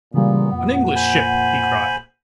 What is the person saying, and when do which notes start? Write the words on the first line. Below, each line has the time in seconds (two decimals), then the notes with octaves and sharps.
"An English ship!" he cried.
0.14 C#2 A#2 C#3 E3 G3 B3
0.52 F2 A#2 F#5
0.95 C5 G#5 B5